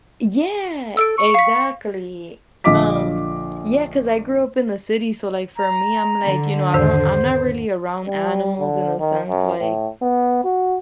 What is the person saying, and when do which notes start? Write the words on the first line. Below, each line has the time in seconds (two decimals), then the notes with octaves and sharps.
Yeah, exactly, um, Yeah, 'cause I grew up in the city. So, like, for me, I'm like, you know, I don't I'm not really around animals in a sense, like,
0.97 A4 E6 D7
1.18 C#6
1.34 F5 B6
2.64 A#1 D3 F4 D#5 D6 B6
5.58 A#5
6.23 D3
6.74 E2 G#2 D#3 C5
8.06 G3
8.60 D3
9.00 D#3
9.29 F#2
9.60 A2
10.02 B3
10.44 F#4